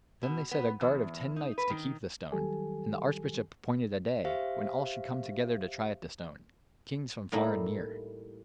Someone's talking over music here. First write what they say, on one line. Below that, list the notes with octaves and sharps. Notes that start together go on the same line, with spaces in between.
Then they set a guard of ten knights to keep the stone, and the archbishop appointed a day when all should come together to try at the stone,--kings from far and near.
B2
B3
E2
D#4
B4
D#3
D#3 F#3 G3 G4 A4 G#5
G4 C5 E5 F5
A2 G3 A#3 D#4 E4